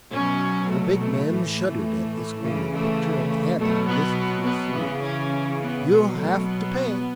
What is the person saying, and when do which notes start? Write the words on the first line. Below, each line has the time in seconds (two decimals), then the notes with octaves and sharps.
The big man shuddered at this gloomy picture, and added, listlessly: "You'll have to pay."
0.12 B2 F#3 C#4
0.70 A3
0.99 A3
1.28 A2 E3
1.57 A3
2.42 C#3 E3
2.71 A3
3.58 B2 F#3 A3
3.86 B3
4.44 B3
4.73 C#3 E3
5.02 C#4
5.60 B3
5.89 B2 F#3
6.17 A3
6.46 B3